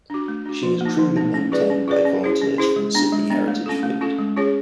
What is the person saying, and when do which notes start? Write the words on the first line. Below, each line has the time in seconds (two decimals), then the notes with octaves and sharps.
She is crewed and maintained by volunteers from the Sydney Heritage Fleet.
0.10 D4 F#4
0.28 A3
0.46 D4 F#4
0.63 F3
0.81 A#3 D#4
0.98 F3
1.16 A#3 D#4
1.34 C#4
1.52 F4 G#4 B4 D5
1.70 C#4
1.88 F4 G#4 B4 D5
2.05 C#4
2.24 E4 G#4 C5
2.42 C#4
2.58 E4 G#4 C5
2.76 G#3
2.95 B3 D4
3.12 G#3
3.30 B3 D4
3.48 A3
3.66 C#4 F4 A4
3.83 A3
4.01 C#4 F4 A4
4.19 G#3
4.37 C#4 F4 G#4 C#5